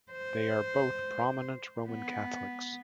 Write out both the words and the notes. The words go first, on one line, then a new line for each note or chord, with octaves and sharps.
They are both prominent Roman Catholics.
C5
B3